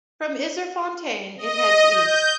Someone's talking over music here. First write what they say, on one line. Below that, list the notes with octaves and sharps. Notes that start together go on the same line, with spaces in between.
From Yzerfontein, it heads east.
D#5
G6